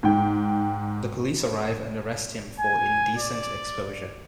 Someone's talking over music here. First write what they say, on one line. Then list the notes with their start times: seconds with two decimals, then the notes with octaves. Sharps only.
The police arrive and arrest him for indecent exposure.
0.03 G#2 G5
2.60 G#5
3.18 D5